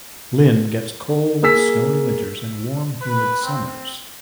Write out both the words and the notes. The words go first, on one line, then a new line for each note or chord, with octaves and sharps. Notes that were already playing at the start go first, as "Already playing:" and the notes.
Lynn gets cold, snowy winters and warm, humid summers.
A#3 G#4 E6 B6
B4
C4